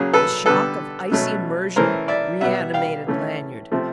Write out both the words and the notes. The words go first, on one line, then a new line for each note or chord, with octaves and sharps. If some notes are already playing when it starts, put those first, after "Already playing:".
The shock of icy immersion reanimated Lanyard.
Already playing: C#3 F#3 A#3 C#4 G#4
A4 B4
D3 G3 B3 A4 B4
B2 F#3 A3 C#4
E3 A3 C#4 A#4 C5
D5 E5
B2 G3 B3 E5 F#5
F5 G5
E3 A3 C#4
C3 F3 A3 C4